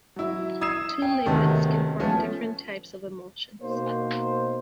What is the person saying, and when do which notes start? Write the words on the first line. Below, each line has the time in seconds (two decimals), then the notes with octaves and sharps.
Two liquids can form different types of emulsions.
0.16 F#3 E4
0.61 D#6 E6 G#6 C7 E7
1.02 G5
1.26 D2 C3 D#3 A3 B3 C#4
2.00 F3 A3 B3 C#4
3.61 B2 A#3 D#4 C5